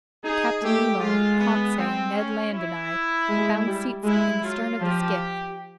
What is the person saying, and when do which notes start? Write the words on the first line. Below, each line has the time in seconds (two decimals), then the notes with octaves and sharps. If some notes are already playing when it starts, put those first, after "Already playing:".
Captain Nemo, Conseil, Ned Land, and I found seats in the stern of the skiff.
0.24 D#4 G#4
0.62 A3 G4
1.00 G#3 F4
1.38 B3
1.77 C4
2.14 C#4
2.53 E4
3.29 G#3
3.67 G3
4.04 G#3 E4
4.42 F#3 F4
4.80 F3 G4